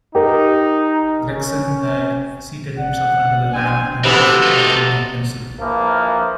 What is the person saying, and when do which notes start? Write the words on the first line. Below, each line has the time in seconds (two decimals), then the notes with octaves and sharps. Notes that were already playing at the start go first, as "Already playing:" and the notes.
Gregson had seated himself under the lamp and was sharpening a pencil.
0.15 D#4 G4 A#4
1.28 C#4
2.78 D5 F#5
3.53 C4 D4 G#5
4.04 C3 E3 A3 B3 D4 F#4 G4 E5
4.43 D#4 F4
5.60 A#1 E3 F3 A#3